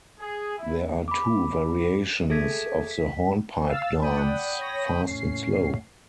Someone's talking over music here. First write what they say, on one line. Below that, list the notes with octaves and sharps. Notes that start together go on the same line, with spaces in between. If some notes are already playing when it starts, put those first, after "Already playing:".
There are two variations of the hornpipe dance: fast and slow.
G#4
E4
B5 D6
G#4 A4 E5 G#6 B6
B6
F5 E6 A6
D5 F#5 G5 B5 D#6
C#5 A#6
A2 C#4 C7